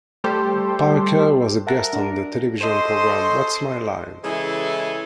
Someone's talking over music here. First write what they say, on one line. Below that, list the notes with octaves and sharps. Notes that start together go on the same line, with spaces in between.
Parker was a guest on the television program What's My Line?
G3 A3 G4 A4 C5
A#4 E5 F#5 A5
D4
C#4 A4 C5 D#5 C6
C#3 E3 G#3 E4 G#4 A4